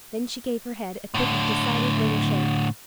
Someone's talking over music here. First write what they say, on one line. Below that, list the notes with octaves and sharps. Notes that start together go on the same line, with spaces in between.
Then she gave her head a quick decided little shake.
A2 D3